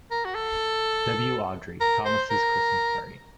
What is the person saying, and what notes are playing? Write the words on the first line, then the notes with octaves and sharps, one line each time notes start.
W. Awdry, "Thomas' Christmas Party".
A#4
F#4
A4
A#4
C5
A#4